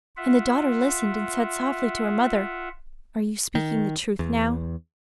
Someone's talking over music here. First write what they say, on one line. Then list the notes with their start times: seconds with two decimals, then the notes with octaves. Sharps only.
And the daughter listened, and said softly to her mother: 'Are you speaking the truth now?'
0.17 F4 E5 F#5
3.55 D#3
4.19 E2